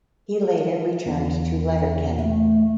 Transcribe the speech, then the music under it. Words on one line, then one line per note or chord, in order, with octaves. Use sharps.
He later returned to Letterkenny.
E2
A3